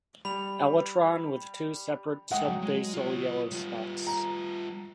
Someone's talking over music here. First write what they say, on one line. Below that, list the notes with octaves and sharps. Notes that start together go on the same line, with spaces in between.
Elytron with two separate subbasal yellow spots.
G3 B5 F7
G#3 A#4 F#5 G5 D#6
F#3
G#3
F4 C#5
G3 F4
A#5